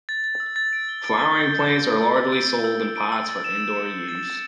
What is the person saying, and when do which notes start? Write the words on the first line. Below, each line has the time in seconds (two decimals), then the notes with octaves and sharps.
Flowering plants are largely sold in pots for indoor use.
0.09 A6
0.24 A6
0.40 E6
0.56 A6
0.73 D7
0.89 G7
1.04 D7
1.20 G7
1.36 G6
1.52 G6
1.69 D7
1.84 D7
2.01 E6
2.16 E6
2.32 D7
2.48 E6
2.64 E6
2.81 D7
2.96 D7
3.12 E6
3.29 A6
3.44 E7
3.61 E7
3.77 C#7
3.93 C#7
4.08 A6
4.25 A6